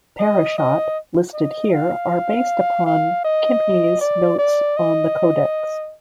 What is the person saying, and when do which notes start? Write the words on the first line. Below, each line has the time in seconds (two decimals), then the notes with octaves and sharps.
"Parashot" listed here are based upon Kimhi's notes on the codex.
0.20 D#5
0.58 D#5
1.34 D#5
1.72 F5
2.86 F5
3.24 D#5
4.01 D5
4.39 D5
4.77 D#5